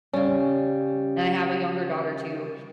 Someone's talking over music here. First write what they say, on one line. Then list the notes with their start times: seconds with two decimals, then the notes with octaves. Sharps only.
and I have a younger daughter too.
0.14 C#3 G3 C#4